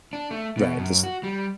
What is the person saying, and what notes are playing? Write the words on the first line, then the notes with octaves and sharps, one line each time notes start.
Right, this
D4
A3
B2
F#2
F#4
G3